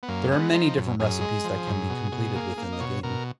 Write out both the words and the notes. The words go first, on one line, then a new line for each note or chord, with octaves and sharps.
There are many different recipes that can be completed within the game.
B3
F#2 A#3
G#3 B3
F3 D#4
F#2
F#2 G#4
G#3
F3
F#2
B2
B2
A#3
A#3
D#5
B2 C#5
B2 A#4